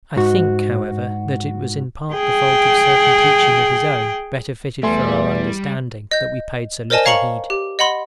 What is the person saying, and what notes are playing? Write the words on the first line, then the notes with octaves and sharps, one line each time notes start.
I think, however, that it was in part the fault of certain teaching of his own, better fitted for our understanding, that we paid so little heed.
G#2 F#4
G#4 G5
E2 G3 A3 E5 G#5 C6
D#5 G6
A#4 C5 D5 D#5 G#5 A5
C#5 F5 A#5 C#6 C#7 F#7
G4
D#5 F#5 B5 C6